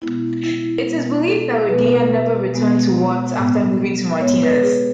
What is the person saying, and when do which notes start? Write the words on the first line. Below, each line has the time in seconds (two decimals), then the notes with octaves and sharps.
It is believed that Rodia never returned to Watts after moving to Martinez.
0.02 B2 G#3 B3 E4
0.44 E4
0.86 B2 G#3 B3
1.28 A4
1.69 B2 G#3 B3 B4
2.53 B2 G#3 B3
3.38 A2 G#3 B3
4.21 A2 G#3 B3 C#5
4.42 B4
4.63 G#4